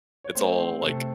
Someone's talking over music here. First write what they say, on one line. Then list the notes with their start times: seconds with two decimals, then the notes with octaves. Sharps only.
It's all, like,
0.24 C#5
0.35 A3 C4 C5
0.58 C4 C5
0.82 C3 A3 A4